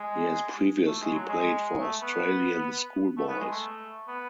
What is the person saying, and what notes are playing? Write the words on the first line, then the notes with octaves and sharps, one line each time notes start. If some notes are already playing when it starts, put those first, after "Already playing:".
He has previously played for Australian Schoolboys.
Already playing: G#3
A3
G#3
F#3
G#3
A3
B3
A3
B3
G#3
A3
B3